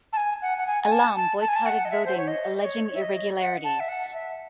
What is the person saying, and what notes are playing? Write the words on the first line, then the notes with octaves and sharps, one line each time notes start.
Alam boycotted voting alleging irregularities.
A5
G#5
F#5
F#5
G#5
G#5
A5
A5
A5
G#5
A5
F#5
D#5
E5
C5
C#5
D#5
D#5
C#5
E5
D#5
F#5
A5
E5
F#5
E5